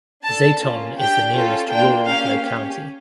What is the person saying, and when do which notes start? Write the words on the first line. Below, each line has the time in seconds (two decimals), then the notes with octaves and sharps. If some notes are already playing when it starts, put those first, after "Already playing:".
Zaton is the nearest rural locality.
0.23 D4 A4 A5
0.60 A#3 C#4 F4
0.97 D4 G4 G5
1.33 C#4 F4 A4
1.69 A#3 D4 F4 G5
2.05 A#3 C#4 G4 F5
2.42 C#4 G4